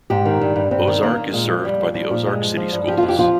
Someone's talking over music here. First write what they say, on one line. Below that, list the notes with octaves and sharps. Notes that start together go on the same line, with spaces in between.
Ozark is served by the Ozark City Schools.
G#2 G4
D#3
G2
G2
G2 C4
D#3
D#3 A#3
D#3
A#2 G#3
F3
F2 G3
F2
F3 G3
A#2
G2 G#3
F3
F3
G2
F3 G4
F4
F2
G4
F3 F4